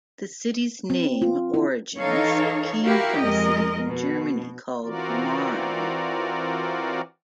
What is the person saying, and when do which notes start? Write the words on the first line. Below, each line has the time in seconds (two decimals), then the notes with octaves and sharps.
The city's name origins came from a city in Germany called Marne.
0.90 C4
1.22 F4
1.54 E4
2.00 E3 D#4 A4 C#5 F5
2.84 E4 F#4 G4 A#4 F5
3.21 F2 G#3 A#4 D#5
3.87 B2
4.85 E3 C4 F4 F#4 A#4 D5